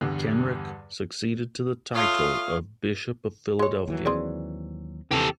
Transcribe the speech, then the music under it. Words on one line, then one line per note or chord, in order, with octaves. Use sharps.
Kenrick succeeded to the title of bishop of Philadelphia.
E2 G2 D3 G3
A3 F4 C#5 F5 D#6
G#3 C#5
D#2 E3 F#3
C4 G#4 D5
D#2 C3 E3 G4 A4